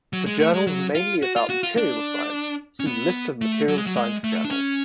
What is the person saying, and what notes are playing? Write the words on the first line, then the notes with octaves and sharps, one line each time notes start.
For journals mainly about materials science, see List of materials science journals.
F#3
G#3
A3
G#3
F#3
F4
F#4
F4
F#4
F4
D4
C#4
B3
A3
F#3
G#3
F#3
G#3
A3
D4
C#4